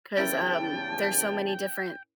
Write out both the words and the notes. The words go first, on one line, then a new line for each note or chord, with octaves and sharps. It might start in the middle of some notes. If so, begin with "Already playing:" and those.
'cause, um, there's so many different
E2 G2 C#3 C#4 E4 A#4 G5 A5